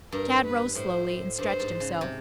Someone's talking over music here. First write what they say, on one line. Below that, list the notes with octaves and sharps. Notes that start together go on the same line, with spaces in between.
Tad rose slowly and stretched himself.
G2 A#4
B4
A2 C5
G2 C5
G#2
C#3
C3